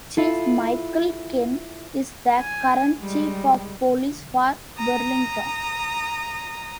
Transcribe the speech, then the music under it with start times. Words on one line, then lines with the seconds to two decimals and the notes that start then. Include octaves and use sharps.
Chief Michael Kent is the current Chief of Police for Burlington.
0.17 E4 F4 A4
2.39 G#5
3.00 G3 G#3
4.78 A#5 D#6